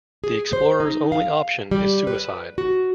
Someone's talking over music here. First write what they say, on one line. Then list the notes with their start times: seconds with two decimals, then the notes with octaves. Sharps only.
The explorer's only option is suicide.
0.24 G#4
0.53 C5
0.80 D#4
1.12 F5
1.71 G3
2.07 B4
2.58 F#4